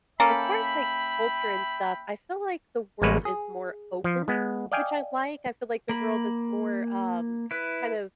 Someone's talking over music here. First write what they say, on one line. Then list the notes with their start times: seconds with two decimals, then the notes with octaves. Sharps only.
as far as, like, culture and stuff, I feel like the world is more open, which I like; I feel like the world is more, um, kind of
0.20 A#3 C#4 A4 E5 G5 B5
3.02 A1 G3 G#3 A#3 B4 C#5
3.25 G#4
4.04 F3
4.28 G#3 B3
4.72 D5 D#5 F5 G5 G#5
5.89 A#3 B5
7.51 E4 B4